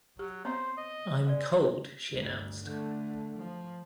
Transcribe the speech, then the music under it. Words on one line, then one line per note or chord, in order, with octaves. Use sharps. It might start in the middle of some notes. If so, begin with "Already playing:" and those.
"I'm cold," she announced.
F#3 G4
B3 C4 C5 C#5 F5
D#5
G#3 D5 F5
G1 D2
D3 A3
F3